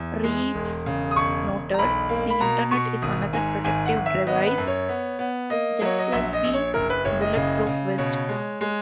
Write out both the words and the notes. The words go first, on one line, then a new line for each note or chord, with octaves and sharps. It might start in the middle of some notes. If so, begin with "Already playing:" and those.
Reeves noted: The Internet is another protective device, just like the bulletproof vest.
Already playing: E2
G#3
E1
C#3
D#6
E1 C#6
E1
A#5
B1 B5
A#3
B5
B2 A#5
B2 C#6
G#1 D#6
G#2 G#5
G#1 G#5
F#5
G#1
E5
B3 D#5
B4
F#2
C#5
B3
B3
A#3 D#5
F#3 C#5
D#5
A#1 E5
D#5
A#1
C#5
F#1 A#4
B4
F#1 C#5
D#5
C#3
C#3
B2 C#5
G#3
G#3